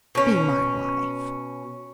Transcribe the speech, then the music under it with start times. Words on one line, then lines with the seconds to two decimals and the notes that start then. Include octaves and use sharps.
Be my wife.
0.15 B2 C#4